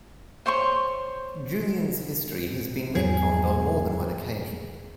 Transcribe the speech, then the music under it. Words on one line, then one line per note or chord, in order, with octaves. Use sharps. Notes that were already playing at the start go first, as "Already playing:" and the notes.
Julian's history has been retconned on more than one occasion.
C5 C#5 C6 C#6
E2 G#2 F#3 G#4